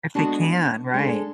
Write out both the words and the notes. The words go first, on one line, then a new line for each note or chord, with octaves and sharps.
If they can, right.
G#3 B3 D4 F#4 A4
G#3 D4 A4